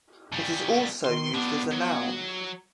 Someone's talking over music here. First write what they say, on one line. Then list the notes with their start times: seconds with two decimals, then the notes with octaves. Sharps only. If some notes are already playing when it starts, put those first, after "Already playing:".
It is also used as a noun.
0.32 C#3 G3
1.05 D#3 C6
1.34 A2 B3 D4
1.71 F#3